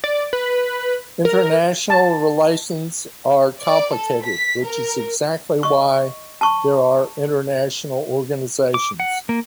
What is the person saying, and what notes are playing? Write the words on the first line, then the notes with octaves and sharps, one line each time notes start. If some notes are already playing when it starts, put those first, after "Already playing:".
International relations are complicated, which is exactly why there are international organizations.
D5
B4
A#4
A5
D5
A4
B6
A#4
D#5 C#6
A5 C#6
D6
F#5
A#3